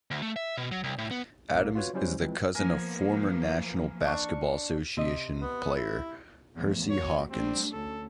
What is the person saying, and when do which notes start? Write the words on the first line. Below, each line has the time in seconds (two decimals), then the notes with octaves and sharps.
Adams is the cousin of former National Basketball Association player Hersey Hawkins.
0.11 D2
0.22 A3
0.36 E5
0.57 B2
0.72 F#3
0.84 C2
0.98 A2
1.11 B3
1.53 B1 A2 A#3
1.75 F4 F#4 B4 C#5
1.94 F#3 G3 C#4 E4 G4 C5
2.20 E3 F3 G#3 C4
2.55 F3 A#3 B3 A#4 G#5
4.04 D4 C#6
4.97 C3 D#5
5.41 B3
5.75 E4
6.56 E2 A2 F3
6.90 A#3 F#4 C#5
7.31 G3 A3 C4 D4
7.72 D2 C#4 A4